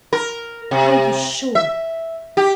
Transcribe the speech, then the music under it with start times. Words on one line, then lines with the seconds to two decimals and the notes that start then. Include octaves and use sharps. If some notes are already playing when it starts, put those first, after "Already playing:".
Are you sure?
0.13 A#4
0.71 C3
1.55 E5
2.37 G4